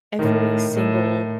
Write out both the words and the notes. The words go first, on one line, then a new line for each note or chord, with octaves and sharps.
every single
A2 D#3
A2